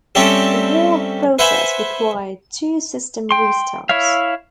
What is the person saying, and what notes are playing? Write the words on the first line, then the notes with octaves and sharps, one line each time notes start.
The whole process required two system restarts.
G3 A3 C4 C#4 G4 A4
B4 C5 E5 F#5 G#5 B5
G5 C6
E4 C#5 E5 F5